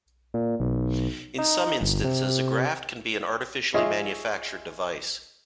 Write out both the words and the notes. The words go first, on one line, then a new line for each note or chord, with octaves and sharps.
In some instances a graft can be an artificially manufactured device.
A#2
B1
D#4
G1
C3
D#4 F4 G#4 C#5 D#5 E5